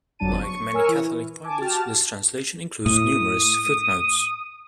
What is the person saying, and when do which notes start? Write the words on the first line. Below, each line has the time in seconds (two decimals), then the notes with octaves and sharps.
Like many Catholic bibles, this translation includes numerous footnotes.
0.19 G1 F2 F#3 D4 A5 D#7
0.43 C#6
0.73 A#4 C#5 G#5 C#6 E6 F6
0.88 E3
1.44 G#5 A5 D6
1.61 F#4 G4 A5 F6
2.86 A2 D#6